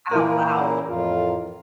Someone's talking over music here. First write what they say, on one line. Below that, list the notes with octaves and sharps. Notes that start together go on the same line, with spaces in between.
out loud
A#2 E3 A#3 E4 A#4
C#3
F2 A2 F4